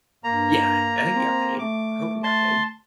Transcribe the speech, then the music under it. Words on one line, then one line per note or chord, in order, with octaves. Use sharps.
Yeah! I think he got paid. I hope he got paid.
G2 A#3 A#5
C4
A3 D6
A5 C6